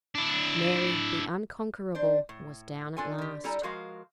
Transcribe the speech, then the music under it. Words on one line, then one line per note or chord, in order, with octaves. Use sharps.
Mary, the unconquerable, was down at last.
D4 E4
D4 C5
A2
D4 F4 A4 G#5
D3 G4
G3 E4 A4 G#5 A#5
F3 G#3 F#4 A#4 F5